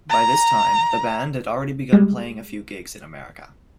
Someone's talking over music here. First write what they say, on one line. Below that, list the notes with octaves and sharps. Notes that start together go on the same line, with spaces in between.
By this time, the band had already begun playing a few gigs in America.
A#5
G3 G#3